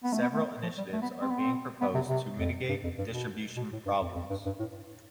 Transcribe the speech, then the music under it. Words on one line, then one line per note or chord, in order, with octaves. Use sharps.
Several initiatives are being proposed to mitigate distribution problems.
B3
A3
B3
A3
F3
G3
A3
B3
C4
B3
C4
B3
C3
C3
F2
G2
F2
G2
B2
B2
A2
G2
F2
F2
G2
G2
A2